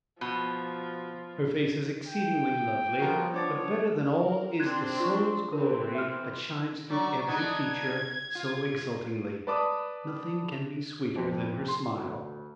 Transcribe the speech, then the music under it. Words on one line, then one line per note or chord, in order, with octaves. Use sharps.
Her face is exceedingly lovely; but better than all is the soul's glory that shines through every feature so exultingly. Nothing can be sweeter than her smile.
B2 F3
G5
C#3 F3 G3 B3 F#4 A#4
B3 D4 C#5 D6 A6
A#4
C4 D4 C6 F#6 G#6
F4 C#6
E3 C4 A#4
E5 F6
F#3 D5 C#6
B3 D4 D#4 G#6
F4
B4 D5 A5 B5 D6 D#6
F2 C5
C6
D2